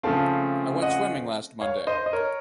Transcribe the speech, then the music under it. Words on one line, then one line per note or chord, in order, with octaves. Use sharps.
I went swimming last Monday.
C#3 F3 A3 C4 F5 A5
D#5 F#5
C#5 F5
C5 D#5
D#5
A#4 C#5